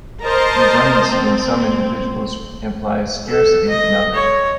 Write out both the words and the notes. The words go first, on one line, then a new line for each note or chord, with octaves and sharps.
Redundancy in some individuals implies scarcity in others.
A#4 C5 D#5 A5 A#5
C4
A4
D#5
C#5